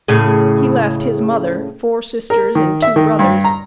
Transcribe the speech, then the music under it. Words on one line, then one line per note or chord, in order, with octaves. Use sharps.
He left his mother, four sisters and two brothers.
A2 C#3
A#4
D#3
E5
D#3
G2
A#5